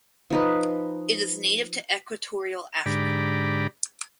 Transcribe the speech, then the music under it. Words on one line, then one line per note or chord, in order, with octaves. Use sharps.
It is native to equatorial Africa.
F3 D#4 B4
G#2 D3 G4 D5 A#5 B5